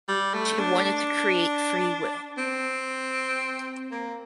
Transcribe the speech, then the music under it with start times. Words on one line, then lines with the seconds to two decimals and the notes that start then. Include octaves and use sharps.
She wanted to create free will.
0.09 G3
0.34 A3
0.59 D4
0.85 D4
2.38 C4
3.91 A#3